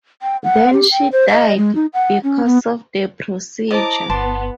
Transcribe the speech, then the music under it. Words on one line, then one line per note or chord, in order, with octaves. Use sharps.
Then she died because of the procedure.
G5
F#5
G4
G5
C5
D#5
G#3
D#4
F#5
C#4
B3
E4 C5 C#5 D#5 A5 A#5 D6
G1 B3 A5 C6